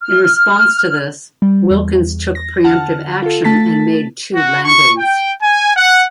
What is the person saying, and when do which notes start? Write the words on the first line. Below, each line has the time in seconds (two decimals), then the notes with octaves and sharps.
In response to this, Wilkins took pre-emptive action and made two landings.
0.01 F6
1.42 G3
1.71 E2
2.35 A#6
2.64 D3 F#5 A5 F6
3.22 F4 A4
3.44 A3 A5 A6 B6
4.33 F#4
4.64 C#6
4.97 G5
5.41 G#5
5.75 F#5